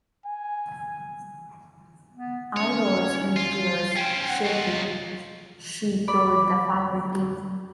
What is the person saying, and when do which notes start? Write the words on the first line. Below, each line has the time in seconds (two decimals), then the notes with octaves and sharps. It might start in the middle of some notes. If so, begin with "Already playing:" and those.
"I was in tears, shaking," she told the faculty.
0.26 G#5
2.14 B3
2.57 C#4 C#5
3.37 F4
3.96 C#4 C5 G5
4.29 F#5
4.45 F4 C#5 D#5
6.08 D5 B5